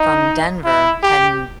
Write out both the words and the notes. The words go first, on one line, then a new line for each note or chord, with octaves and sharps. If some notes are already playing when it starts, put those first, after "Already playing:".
from Denver heading
Already playing: D#4
E4
G4